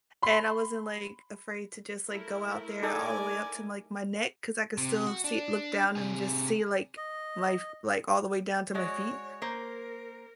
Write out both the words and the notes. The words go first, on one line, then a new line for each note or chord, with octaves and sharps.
and I wasn't, like, afraid to just, like, go out there all the way up to, like, my neck 'cause I could still see look down and just see, like, life, like, all the way down to my feet.
B5 C6
A3 E4 A#4
D#4 G#4 A4 D5 G#5
C3
F#4
D4
C3 G#4
D#5
G#3 F#4 C#5 D5
A#3 A#4 C5